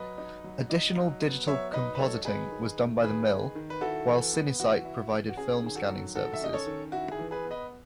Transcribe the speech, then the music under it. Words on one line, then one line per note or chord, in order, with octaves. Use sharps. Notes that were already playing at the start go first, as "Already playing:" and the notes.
Additional digital compositing was done by The Mill, while Cinesite provided film scanning services.
Already playing: F#3 B4 D#5
D#4
F#3
D#4
F#3
B3
F#3 C#5 E5
D#4 B4 D#5
B4
F#3 A4 C#5
D#4 G#4 B4
D#3
A3
D#3 G#4 B4
D#4
D#3
B4
E4 F#4 A4
E3
B3
E3 F#4
E4
E3
F#4
C#4 G#4
D#3 G#4
F#4 A4
F#3
D#3 F#4 A4
E5
C#4 D#5
A4 C#5
D#3
E4 F#4
G#4
E3
G#4 B4
B3
B4 D#5